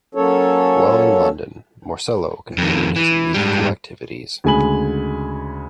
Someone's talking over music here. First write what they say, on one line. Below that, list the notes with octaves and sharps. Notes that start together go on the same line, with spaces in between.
While in London, Morsello continued his musical activities.
F#3 A#3 C#4 A4 C#5
F2 D#3
E3
G#2 G3
D2 C#3 G#3 G#5 B5 F#7